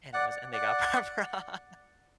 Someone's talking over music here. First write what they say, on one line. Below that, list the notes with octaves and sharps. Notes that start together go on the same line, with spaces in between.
and it was and they got Pop Rocks!
D5 F#5
D5 F#5